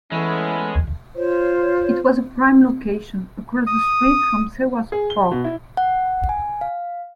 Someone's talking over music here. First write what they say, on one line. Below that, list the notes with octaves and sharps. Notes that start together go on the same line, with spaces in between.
It was a prime location, across the street from Seward Park.
E3 G#3 A3 B3 C#4 E4 A4
F4 C5 C#5
D#6
G#4
G7
B2
E4
F#5
G#5
F5